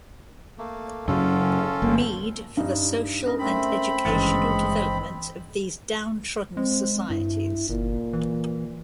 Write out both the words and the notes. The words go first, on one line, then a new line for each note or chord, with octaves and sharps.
Mead for the social and educational development of these downtrodden societies.
A3 A#3
F#2 C#3 F#3 C#4 F4 A4
G1 A#3
G2 D#4
C#4 A#4 D#5
A3 C4 B5
G#1 G2 C#3 E3 G#3 A6 C#7
D#5
G#3 C4
G2 E4
G1 A#2
E3